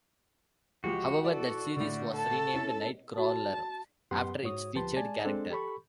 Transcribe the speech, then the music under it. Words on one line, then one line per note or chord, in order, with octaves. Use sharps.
However, that series was renamed "Nightcrawler" after its featured character.
C#2 F3 G#3 F#4 G4
E4 A4 D5
A2 D3 D5
A4 A5
C#4 E4
F#4 A5
F#2 B3 G4 B4 F#5 C6
G#2 F#4 C#5 D#6
D2 F3 G4 B4 A5 C6
G#3 D5 G#5 A5
G#3 C4 D4 A4
G4 A4 B5 C#6